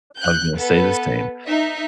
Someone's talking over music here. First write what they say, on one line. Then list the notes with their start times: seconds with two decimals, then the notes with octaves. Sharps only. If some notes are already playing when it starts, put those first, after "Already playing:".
I was gonna say the same.
0.18 F#6 G6
0.57 B3 A4 B4
1.46 D#4 E5